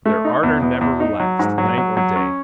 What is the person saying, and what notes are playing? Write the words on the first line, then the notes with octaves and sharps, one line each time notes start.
But their ardor never relaxed, night or day.
A3
D#4
E2
E2
E2
D#4
F#3
G#2
F#3
F#3
F#3
C#4